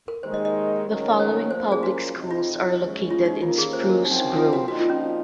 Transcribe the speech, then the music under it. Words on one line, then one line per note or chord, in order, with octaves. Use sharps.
The following public schools are located in Spruce Grove.
A#4
D#2 D#3 G#3 D#4 C5
D#5
D#5
G#2 D#3 F#3 C#4
C#5
A#2 F3 A#3 C#4 C5
G#4
F#4
F2 C3 F3 C4 D#4
F4
D#2 C#3 G#3 C#4
F4
D#4
D#2 D#3 A#3 C#4 F4
G#4
C5
A#4
F#2 F3 C4 D#4
D#4
F4
F#4
A#2 F3 C4 D#4 F#4
F4
C#4